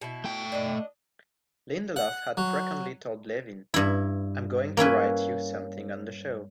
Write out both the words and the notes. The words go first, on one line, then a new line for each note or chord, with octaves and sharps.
Lindelof had frequently told Levine, "I'm going to write you something on the show".
B2 E4
A3 G5
D4 D#5
F#5
F#3
G2 E4
A#3 C#4 E4 B4